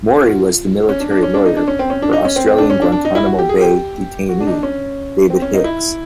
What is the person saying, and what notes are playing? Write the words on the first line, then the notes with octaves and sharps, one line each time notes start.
Mori was the military lawyer for Australian Guantanamo Bay detainee David Hicks.
F4
F#4
F4
C#4
D4
D4
C#4
D4
D#4
D4
C#4
C4
C#4
D4
D#4
C#4
C4
C4
D4
C#4
D4
D4
D#4
E4
F#4
G4
G#4
G4
F#4
D4
D#4
D4
C#4
C4
C#4
D#4
E4